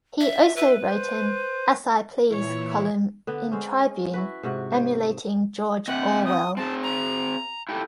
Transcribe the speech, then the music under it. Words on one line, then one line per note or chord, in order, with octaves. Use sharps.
He also wrote an "As I Please" column in "Tribune", emulating George Orwell.
E5
B4 E5
C5
A#2 E3 E4 C#5
D3 B3
G#3 C4 C#4
E4 F#4 B4
G#2 C3 F#4 F#5
C5 D#5
C4 D#5 E5 F#5
D#6
C4 G#4 A5
A#5
E4 G4 A4